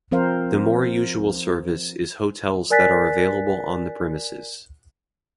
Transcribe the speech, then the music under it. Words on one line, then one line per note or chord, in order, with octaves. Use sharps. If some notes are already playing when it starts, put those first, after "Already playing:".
The more usual service is hotels that are available on the premises.
F3 C4 A#4 C5 F5
A#4 D5 G#5 F#6 A6 B6